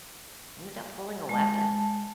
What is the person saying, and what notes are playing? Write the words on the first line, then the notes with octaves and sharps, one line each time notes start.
he ended up pulling a weapon.
G#3 A5